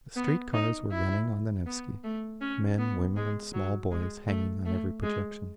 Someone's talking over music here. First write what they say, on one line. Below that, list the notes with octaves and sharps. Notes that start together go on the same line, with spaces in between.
The street-cars were running on the Nevsky, men, women and small boys hanging on every projection.
B3
D#4
E4
B3
A3
C#4
B3
G#3
F#3
G#3
A3
A3
G#3